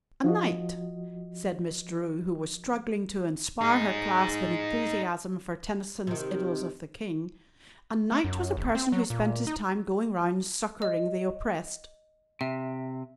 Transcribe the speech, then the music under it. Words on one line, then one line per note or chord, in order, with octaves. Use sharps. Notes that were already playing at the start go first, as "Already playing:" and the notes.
"A knight," said Miss Drew, who was struggling to inspire her class with enthusiasm for Tennyson's "Idylls of the King," "a knight was a person who spent his time going round succouring the oppressed."
F3 F#4 D#5
D#4 G#4
C3 D#3
A3
F#2
G#1
C4
F#3
A#2
D#4
D#5
C3 E5